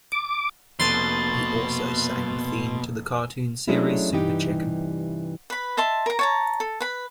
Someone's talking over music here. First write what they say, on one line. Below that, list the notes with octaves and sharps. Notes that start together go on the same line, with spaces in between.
He also sang the theme to the cartoon series Super Chicken.
D6
F1 B2 A#3 C6 A6
F#3 G#3 A3 C#4 D4 E4
G2 C3 E3 D#4 G4
B4 B5
D#5 E5 A5 C6
A#4 A#5
C#5 A5 A#5
A4
B4 B5